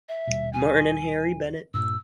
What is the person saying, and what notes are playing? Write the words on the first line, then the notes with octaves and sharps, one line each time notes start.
Martin and Harry Bennett.
E5
D#1 B2 G3
G#5
G2 A#2 E6